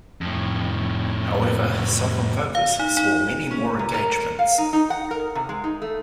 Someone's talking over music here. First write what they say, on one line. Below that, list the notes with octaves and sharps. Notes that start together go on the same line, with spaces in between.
However, Southern Focus saw many more engagements.
F2 A2
F5
D#4
D#4
C#4
C3
A#4
F5
D#4
D#4
F#5
A#4
C3
G#3
D#4
A3